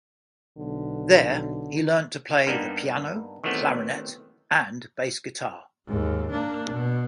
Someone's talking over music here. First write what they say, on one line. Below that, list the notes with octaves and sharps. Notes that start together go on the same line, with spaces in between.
There he learnt to play the piano, clarinet and bass guitar.
B1 D3
G2 G3 A#3 B3 D4 D#4
D#3 E3 F#3 A3 B3 C4
D#2 G#2
A#3 D4
B2